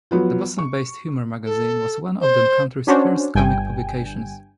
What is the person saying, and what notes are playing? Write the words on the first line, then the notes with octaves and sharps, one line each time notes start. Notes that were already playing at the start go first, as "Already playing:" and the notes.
The Boston-based humor magazine was one of the country's first comic publications.
F3 F#3 B3 F4
C#6
A4
C5
C#4 D4 F#4 C5 C#5
G1 G2 G5 G#5